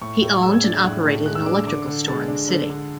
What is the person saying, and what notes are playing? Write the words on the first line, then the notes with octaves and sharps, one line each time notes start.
He owned and operated an electrical store in the city.
A2 C#6
A2
G#3 E6
G#6
D4 A6
G#6
A2 F#6
A2
G#3 F#6
E6
D4 D6
E6
D3 D6
D3
G#3 A6
D4
D3
D3